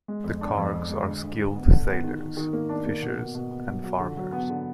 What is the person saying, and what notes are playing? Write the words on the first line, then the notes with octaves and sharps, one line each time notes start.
The Kargs are skilled sailors, fishers and farmers.
G#3
F2
D4
F2
F2
G#3
D2
D2
D2
B3
D3
B3
D#3
D#3
D#3
A#3
D4
A#3
B2
B2
B2
B3
F#3
F#3
D3
F#3
B3
D3